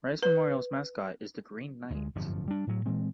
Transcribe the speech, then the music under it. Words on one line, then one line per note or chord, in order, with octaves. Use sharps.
Rice Memorial's mascot is the Green Knight.
B4
D2 G#3
D1 G1 F#2 F3
G3 D4
A2 F#3
A#2 E3 G#3 C4